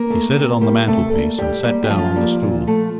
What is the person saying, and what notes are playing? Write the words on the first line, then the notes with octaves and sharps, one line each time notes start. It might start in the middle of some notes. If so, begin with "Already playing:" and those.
He set it on the mantelpiece, and sat down on the stool.
Already playing: A#3 A#4
A3
C3
G3 A#3
C3 A3 A4
G3 A#3
A2 G3 G4
G3 A#3
G4
A2 F3 F4
G3 A#3
A#2
A3